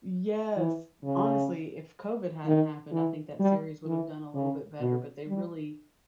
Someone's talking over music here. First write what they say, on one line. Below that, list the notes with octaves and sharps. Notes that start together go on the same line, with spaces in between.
Yes. Honestly, if COVID hadn't happened, I think that series would have done a little bit better, but they really
E3
C#3
D#3
E3
G3
E3
C#3
B2
G3